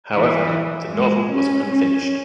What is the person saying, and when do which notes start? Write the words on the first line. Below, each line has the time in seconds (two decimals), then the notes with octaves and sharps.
However, the novel was unfinished.
0.15 E3
0.93 G#3
1.32 C#4
1.71 C#4